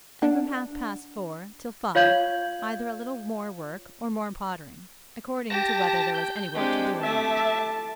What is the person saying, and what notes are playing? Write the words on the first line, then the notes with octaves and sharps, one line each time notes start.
And from half past four till five either a little more work or more pottering, according to whether there was any work to do or not.
D4 F#5
F4 C#5 F5 G6 G#6 F#7
G4 A5 A#6
G6
G#3 C4 D4 G4
A3 E5 A5 D6